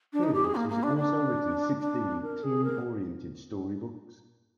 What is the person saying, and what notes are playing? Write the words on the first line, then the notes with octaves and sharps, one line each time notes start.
Fields has also written sixteen teen-oriented story books.
D4
D#4
G4
G#4
A#3
A#3
D4
D4
D4
A#4
G#4
A#4